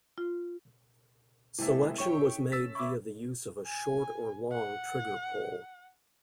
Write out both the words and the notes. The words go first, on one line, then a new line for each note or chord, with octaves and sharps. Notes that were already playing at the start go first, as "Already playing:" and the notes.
Selection was made via the use of a short or long trigger pull.
F4
C3 G#3 A#3 E4 G#4 A4 E5
C#4 C#5 G5 C#6
E6 A6 B6
E4 C#6 D6
G#5
F#5